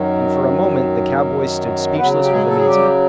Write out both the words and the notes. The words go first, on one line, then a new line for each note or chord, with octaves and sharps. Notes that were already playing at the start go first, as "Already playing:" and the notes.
And for a moment the cowboys stood speechless with amazement.
Already playing: F#2 D#3 F#3
C#3 F#3 B3 B4
G4
G#3 G#4
A4
G#4
G3 G4